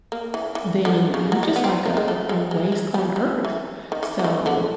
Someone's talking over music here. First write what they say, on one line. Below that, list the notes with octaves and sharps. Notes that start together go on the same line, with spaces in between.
then you're just like a a a waste on earth. So
A#3
E3
E3
D3
C#3
F#3
G3
B3
C4
A#3
G#3
A3
G#3
G#3
G#3
G3
G3
E3
D#3
E3
E3
D#3
D3